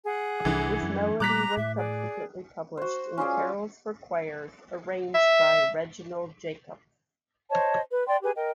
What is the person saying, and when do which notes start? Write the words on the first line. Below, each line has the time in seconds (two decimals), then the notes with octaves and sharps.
This melody was subsequently published in Carols for Choirs, arranged by Reginald Jacques.
0.05 G#4 F#5
0.45 C2 D3 E3
0.82 F#2
1.20 A#2 G3 A#5 D6 F#6 B6
1.57 A2 E5
1.77 G#4 D5
2.77 F#4 C5
3.18 C#4 F4 G#4 D5
5.14 E5
7.50 C5 C#5 D#5 A5
7.90 B4
8.06 D5 G5 C6
8.22 G4 G#4 B4 G#5
8.35 A#4 D#5 G5